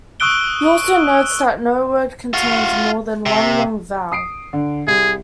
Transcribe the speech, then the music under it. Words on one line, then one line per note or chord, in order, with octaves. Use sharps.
He also notes that no word contains more than one long vowel.
C#6 D#6 E6 F#6 D7 G7
F4 F#4
C3
D#6 C7 D7
D3
C2 G#4